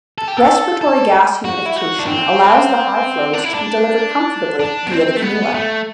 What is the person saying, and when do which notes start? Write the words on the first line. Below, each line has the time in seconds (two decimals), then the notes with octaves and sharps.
Respiratory gas humidification allows the high flows to be delivered comfortably via the cannula.
0.18 A4
0.28 G4
0.37 A4
0.81 A4
1.45 F#4
1.66 E4
1.76 F#4
2.00 D4
2.07 C4
3.33 D4
3.44 E4
3.54 D4
4.59 D4
4.86 B3
4.91 C4
5.17 A3
5.22 B3
5.54 A3